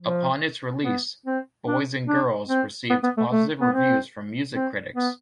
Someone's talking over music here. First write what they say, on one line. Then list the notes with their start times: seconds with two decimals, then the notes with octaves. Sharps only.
Upon its release, "Boys and Girls" received positive reviews from music critics.
0.02 F3
0.84 B3
1.26 C4
1.67 D4
2.08 D4
2.49 C4
2.90 B3
3.03 B3
3.17 A3
3.31 A3
3.61 B3
3.73 C4
4.54 C4
4.96 B3